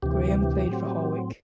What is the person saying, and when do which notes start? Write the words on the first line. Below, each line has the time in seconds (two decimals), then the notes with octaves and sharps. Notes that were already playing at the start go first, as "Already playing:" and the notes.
Graham played for Hawick.
0.02 D2 C3 E3 G4
0.68 A2 F#3 C4